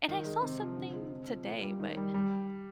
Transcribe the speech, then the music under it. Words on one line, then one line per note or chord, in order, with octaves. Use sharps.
and I saw something today, but
D#3
G#3
C3
F3
D3
G#3
C3
F3
A#2
G3
D#3
G3
G3